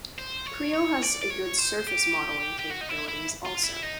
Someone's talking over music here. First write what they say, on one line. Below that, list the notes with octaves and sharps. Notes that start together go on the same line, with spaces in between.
Creo has a good surface modeling capabilities also.
C5
C#5
C#5
D5
D5
C#5
C5
G4
G4
F#4
D#4
E4
E4
F4
E4
D#4